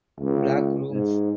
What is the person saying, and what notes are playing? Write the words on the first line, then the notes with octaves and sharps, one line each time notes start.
Black Rooms!
C#2
G#2